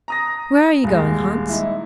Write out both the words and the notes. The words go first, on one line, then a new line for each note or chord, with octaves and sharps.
'Where are you going, Hans?'
A#5 D#6 A#6
D#1 G#3
D#4 E4